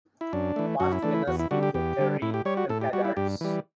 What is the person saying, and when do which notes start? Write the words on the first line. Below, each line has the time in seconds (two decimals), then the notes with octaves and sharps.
Past winners include Terry Pilkadaris.
0.21 E4
0.33 F#2 D4
0.56 E3 A3
0.80 F#2 F#4
0.92 E4
1.03 E3 A3 D4
1.14 E4
1.27 E2 F#4
1.39 E4
1.51 D3 G3 F#4
1.63 G4
1.74 E2 G4
1.98 D3 G3
2.22 A2 E4
2.34 G4
2.45 G3 C#5
2.57 F#4
2.69 A2 A4
2.81 G4
2.93 G3 F#4
3.05 E4
3.17 G2 G4
3.41 E3 G3